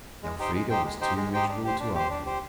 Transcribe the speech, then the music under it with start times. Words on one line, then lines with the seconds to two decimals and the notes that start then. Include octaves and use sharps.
Elfrida was too miserable to argue.
0.23 G#3
0.39 D#4 G4 C5 G5
0.54 G#3
0.70 D#4 G4 C5 G5
0.85 G#3
1.01 D#4 G4 C5 G5
1.17 G#3
1.33 D#4 G4 C5 G5
1.49 D4
1.64 G4 C5
1.80 D4
1.95 G4 C5
2.10 D4
2.26 G4 C5